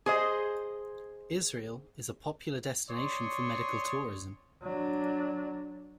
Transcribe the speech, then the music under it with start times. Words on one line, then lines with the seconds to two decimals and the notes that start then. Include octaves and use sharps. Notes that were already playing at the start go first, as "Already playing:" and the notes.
Israel is a popular destination for medical tourism.
0.06 G#4 C5 D#5
2.89 C#5 D5 C6 C#6 D#6
4.63 F#3 D4